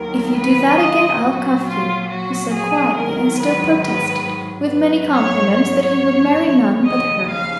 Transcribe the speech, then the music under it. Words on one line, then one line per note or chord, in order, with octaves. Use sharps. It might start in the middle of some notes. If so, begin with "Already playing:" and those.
"If you do that again, I'll cuff you," he said quietly; and still protested, with many compliments, that he would marry none but her.
Already playing: D#2 D#3 F#3 A#4
B4
D#5
A#2 F#3 F#4
F4
F#4
G#4
G#2 D#3 F#3 A#4
B4
B4
G#2 F#3 B4
C#5
C#5
D#2 C#3 F3
D#5
F5